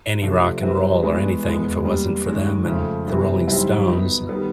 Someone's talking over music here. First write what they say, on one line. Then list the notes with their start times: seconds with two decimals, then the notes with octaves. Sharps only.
any rock and roll or anything if it wasn't for them and the Rolling Stones.
0.22 C3 F3 A3 D4
0.62 G3 C4 E4 G4 B4
1.02 E3 G#3 B3 D4 F#4
1.44 E2 B2 G#3 B3
1.84 G3 A#3 D4
2.25 D#3 G#3 C#4 F#4
2.66 F2 C#3 F3 A3
3.06 C3 E3 G3 B3 D4
3.48 F#2 D#3 G3 C4 E4
3.88 F#3 B3 D#4
4.29 D#3 G3 B3